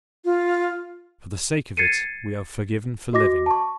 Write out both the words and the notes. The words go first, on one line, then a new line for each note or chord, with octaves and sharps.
For the sake of it we are forgiven for living.
F4
G#6 A6 C7 C#7 D#7
F#4 D#5 D6 A#6
A5 C#6